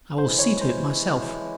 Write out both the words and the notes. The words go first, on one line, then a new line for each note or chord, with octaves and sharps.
"I will see to it myself."
E3 G#3 E4 C5
C#5
C5